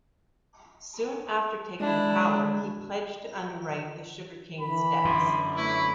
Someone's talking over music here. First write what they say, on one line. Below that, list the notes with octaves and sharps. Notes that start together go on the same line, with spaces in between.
Soon after taking power, he pledged to underwrite the Sugar Kings' debts.
G#3 D4 E4
E3 B5
F#2 D3 C6
A3 E4 B4 C#5